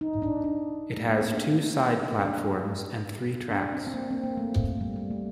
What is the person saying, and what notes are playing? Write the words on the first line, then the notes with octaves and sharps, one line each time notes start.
It has two side platforms and three tracks.
D#4
D4
D4
A3
A#3
C4
D4
D4
D4
C4
C4
A#3
C4
A#3
A3
G3
G3
A3